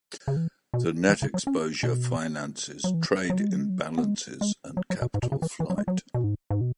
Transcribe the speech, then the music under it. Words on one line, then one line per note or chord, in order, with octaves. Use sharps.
The net exposure finances trade imbalances and capital flight.
C#3
E3
B2
E3
C#3
F#3
C#4
B2
F#3
E3
F#3
G#3
F#3
G#3
F#3
B3
G#3
G#3
F#3
F#3
B2
G#2
B2
C#3
E3
E3
F#3
G#3
F#3
B2
G#2
G#2
B2